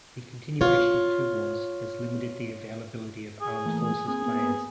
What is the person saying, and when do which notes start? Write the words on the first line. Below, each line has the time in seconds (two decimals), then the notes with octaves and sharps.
The continuation of two wars has limited the availability of armed forces players.
0.61 F4 C#5
3.41 G#4
3.65 E3 A3 A#3
3.82 G#4
4.08 A#3 C4 G#4
4.25 A#3 B3